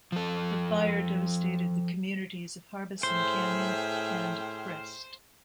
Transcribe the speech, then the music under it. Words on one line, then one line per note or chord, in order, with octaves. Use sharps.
The fire devastated the communities of Harbison Canyon and Crest.
F3 A4
A2 G#4 C5 E5 G5 F6